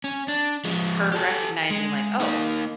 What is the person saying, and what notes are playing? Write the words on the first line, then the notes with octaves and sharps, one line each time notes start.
her recognizing, like, "Oh,
C#4
D4
F3 G#3
G4 A4
G#3
A#3 D#4